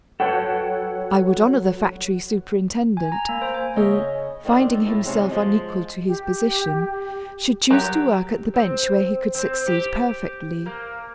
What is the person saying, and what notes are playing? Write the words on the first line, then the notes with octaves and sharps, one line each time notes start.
I would honor the factory superintendent, who, finding himself unequal to his position, should choose to work at the bench where he could succeed perfectly.
F#3 A4 B4 C#5 F#5 G5
G#5
A#5
A#3
C5
G#5
C#3 C#5 D#5 E5 G#5
A2 D3 D#3 C4 D4
D#4 G#4 A4
A2 E4
G#2 C3 C#4 F4
F3 G#3
G4
F#3 G4
C4
C4
G4
A#3